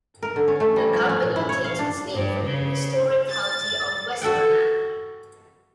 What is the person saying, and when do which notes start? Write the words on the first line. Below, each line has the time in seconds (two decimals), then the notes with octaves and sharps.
The company takes its name from the historic county of Westmorland.
0.23 A#4
0.36 D3
0.48 C#4
0.60 A3
0.76 G3
0.93 F3
1.09 C#4
1.22 A#2
1.36 E4
1.49 C#5
1.64 F5
1.79 D4
2.13 G2
2.45 C#3
3.30 A6
4.21 F#4 A4 F#5 G5